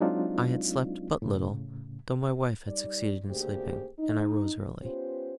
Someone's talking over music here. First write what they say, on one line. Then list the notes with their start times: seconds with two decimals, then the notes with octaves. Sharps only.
I had slept but little, though my wife had succeeded in sleeping, and I rose early.
0.01 F#3 G#3 C4 D4 D#4 F4
1.22 A2 C#3
2.67 G3 D#4 D5
3.29 D2 C#3 A#3 G4 G#4 C5
3.98 D#4
4.82 B3 C#4 F4 G4 B4 C5